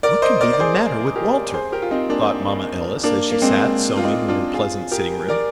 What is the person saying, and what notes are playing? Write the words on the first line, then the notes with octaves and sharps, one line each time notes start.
"What can be the matter with Walter," thought Mama Ellis as she sat sewing in her pleasant sitting-room.
A#4 D5
C5 D#5
A#4 D5
D5
G#4 C5
G4 A#4
G#4 C5
G4 A#4
F4
C4 D#4
A#3 D4
A#3 D4
A#3
G#3 C4
F4
C4 D#4
D4 F4
F4 G#4
G4 A#4
A#4 D5